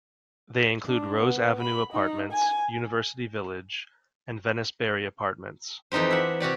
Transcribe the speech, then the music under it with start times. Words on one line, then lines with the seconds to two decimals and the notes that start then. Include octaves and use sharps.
They include Rose Avenue Apartments, University Village, and Venice-Barry Apartments.
0.87 D4
1.21 B3
1.62 B5
1.93 D#4
2.32 G#5
5.92 F2 E3 D#4 G4 C5
6.11 E5 F#5
6.40 C3 F#4 G4 D5